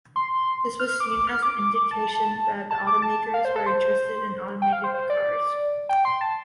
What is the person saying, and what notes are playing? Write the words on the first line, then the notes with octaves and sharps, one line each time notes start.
This was seen as an indication that the automakers were interested in automated cars.
C6
F6
F6
D6
D6
F6
D6
D6
D6
A5
A5
D6
A5
F5
C5
A4
C5
G5
F5
C5
C5
D5
G5
C6
A5